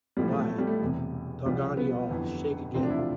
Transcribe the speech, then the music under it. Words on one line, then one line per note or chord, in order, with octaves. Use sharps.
Why, doggone you all, shake again.
A1 A2 F3 G3
A3
A3
A3
G3
A3
E1 E2 C3
C2 C3 F3 G3
B3
G1 F2 E3
E1 D2 C3 F3 C4
D4
E4
F4